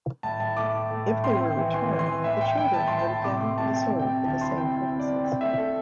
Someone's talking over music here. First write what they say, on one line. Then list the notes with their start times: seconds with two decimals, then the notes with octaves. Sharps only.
If they were returned, the children would again be sold for the same purposes.
0.23 A2 A5
0.40 A2 A5
0.57 A3 D6
0.74 A2
0.91 A3
1.07 A2
1.24 C4 C6
1.40 C4
1.57 E3
1.74 E3 C6
1.91 E3
1.99 C6
2.08 E3
2.24 A2 E5
2.41 A2 G5
2.57 A2 G5
2.74 A2 A5
2.88 A2 C6
2.99 A5
3.07 A2
3.24 C3 D6
3.41 A3 C6
3.58 C3 A5
3.74 C3 G5
3.91 C3
3.99 G5
4.08 C3
4.24 D2 A5
4.41 E4 C6
4.57 C4 G5
4.74 E4
4.91 C4
5.00 D5
5.08 C4
5.24 D4 G5
5.41 A3 E5
5.58 A4